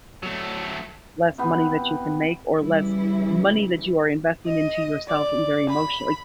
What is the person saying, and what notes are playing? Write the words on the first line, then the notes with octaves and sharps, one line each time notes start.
less money that you can make, or less money that you are investing into yourself and very emotionally.
F#3 A3
C3 E3 B3
C#3 E3 G3 E4
D#5
D5
B5